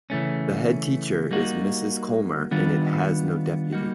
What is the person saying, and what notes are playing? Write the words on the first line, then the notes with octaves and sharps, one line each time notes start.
The head Teacher is Mrs Colmer and it has no deputy.
C#3 E3 A3 C#4
G3 A#3 D#4 F#4
D#3 G3 B3 D4 F4
G3 A#3 D#4 F#4